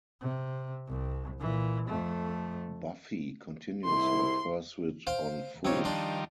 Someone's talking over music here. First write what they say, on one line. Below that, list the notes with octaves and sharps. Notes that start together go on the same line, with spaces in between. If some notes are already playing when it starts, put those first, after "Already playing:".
Buffy continues her pursuit on foot.
C3
C2
A#2 E3
F2 A3
C2 G#2 E4 C6
C5 F5 G5
D#3 F3 G3 C4 C#5
D4 D5 C6